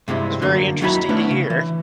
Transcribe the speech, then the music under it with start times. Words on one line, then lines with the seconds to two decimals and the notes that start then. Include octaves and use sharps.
it was very interesting to hear.
0.08 G2 C3 G#3 E4
0.42 F#2 D3 A#3
0.81 D#2 F#3 D#4 E4 F5 B5
1.09 A3 B3 C#4 D4 E4 B4
1.31 C#3
1.50 E3